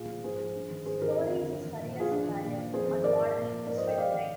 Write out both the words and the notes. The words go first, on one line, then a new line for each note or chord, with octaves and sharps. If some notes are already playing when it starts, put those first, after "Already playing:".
The story is a surreal satire on modern industrial life.
Already playing: A#2 F4 G#4
F3
G#2 G#4 C5
F3
G2
D#3
G#2 G#4 C5
D#3 G4 A#4
F2
D3 F3
G2
D#3
A#2
F3
F4 G#4
G2 D4
D#3
A#2
F3
F2 G#4 C5
D#3
G#2 A#4 D5
F3
A#2
F3
G#2 A#4 D5
C5 D#5
F3
D#5 G5
G#2 D5 F5
D#3